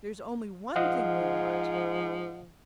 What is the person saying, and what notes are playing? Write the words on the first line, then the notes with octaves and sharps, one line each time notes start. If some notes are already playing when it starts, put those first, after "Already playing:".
"There's only one thing we want."
G#2 F3 D#5 F5 F#5